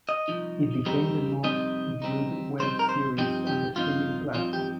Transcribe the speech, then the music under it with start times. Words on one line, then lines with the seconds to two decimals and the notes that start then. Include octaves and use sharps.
It became the most viewed web series on the streaming platform.
0.09 D#5
0.28 C2 C3 F3 D#4
0.85 F2 C3 G3 C4 D#4
1.43 F2 C3 G3 C4 D#4 D#5
2.02 F2 C3 G3 C4 D#4
2.59 F2 C3 G3 C4 D#4 C5
2.79 A#4
2.89 C5
3.17 G2 F3 C4 D#4 G4
3.47 G4
3.75 G2 F3 C4 D#4 F4
4.34 G2 F3 C4 D#4 F4
4.53 G4